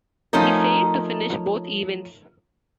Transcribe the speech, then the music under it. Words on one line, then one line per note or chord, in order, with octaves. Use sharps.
He failed to finish both events.
F3 A3 C#4 D#4 A#4